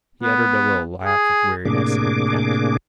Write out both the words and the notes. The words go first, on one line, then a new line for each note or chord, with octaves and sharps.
He uttered a little laugh of weariness and contempt.
B3
G#4
A2 C3 A#3 D4 G#4 D6